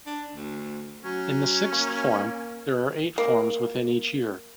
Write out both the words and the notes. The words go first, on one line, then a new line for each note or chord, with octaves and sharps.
In the sixth form, there are eight forms within each year.
D4
D2
F#3 C#4
A#3
A#3